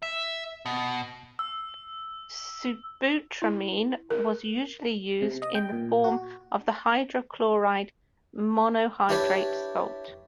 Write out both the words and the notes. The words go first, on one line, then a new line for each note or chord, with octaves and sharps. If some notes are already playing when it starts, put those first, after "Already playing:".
Sibutramine was usually used in the form of the hydrochloride monohydrate salt.
E5
B2
E6
E4
A#4
C3
D#5
G5
A#2
F#4
D4 E4 G4 B4 C#5 D5